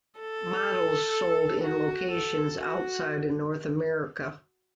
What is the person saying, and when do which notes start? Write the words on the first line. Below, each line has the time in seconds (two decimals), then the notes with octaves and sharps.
Models sold in locations outside North America.
0.20 A4
1.63 F#4
2.11 A4
2.61 F#4